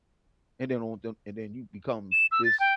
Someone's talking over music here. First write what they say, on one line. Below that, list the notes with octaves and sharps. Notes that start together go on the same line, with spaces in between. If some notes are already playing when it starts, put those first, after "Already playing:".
And then on them and then you become this,
E7
E6
A6
G5